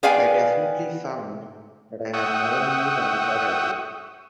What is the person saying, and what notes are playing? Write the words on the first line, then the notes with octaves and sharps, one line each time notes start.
I definitely found that I had more in me than I thought I did.
B3 G#4 D5 F5 G5 G#5
E5 F#5 G5 C#6 D#6